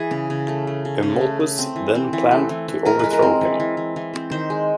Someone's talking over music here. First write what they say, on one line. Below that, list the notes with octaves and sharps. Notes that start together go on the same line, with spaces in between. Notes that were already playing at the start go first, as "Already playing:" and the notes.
Eumolpus then planned to overthrow him.
Already playing: E3 G#4
C#3
C#3
A3
A3
C#3
C#3
A3
A3
C4
E3
C4
E3
A3
E3
E3
G#3 A#4
G#3 B4
A#4
C4
E3
E3
E3
E3
C4
D#3 C5
G#3